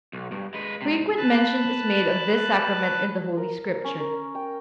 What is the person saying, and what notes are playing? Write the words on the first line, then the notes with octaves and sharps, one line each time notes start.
Frequent mention is made of this Sacrament in the Holy Scripture.
B1
G2
G#3 B4
G#2 C3
B4 A5 F#6
A#4
C#4
A#4
G5